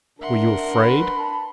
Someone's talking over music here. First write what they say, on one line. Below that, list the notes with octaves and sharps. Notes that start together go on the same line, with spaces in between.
"Were you afraid?"
D4 A#4 E5 F#5 C6
B4 B5
A5